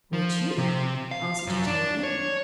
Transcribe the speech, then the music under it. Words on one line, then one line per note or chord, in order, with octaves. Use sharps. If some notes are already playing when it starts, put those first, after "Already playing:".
"Would you?" answered Octavia.
F3
C3
F5
F#2
D4
C#5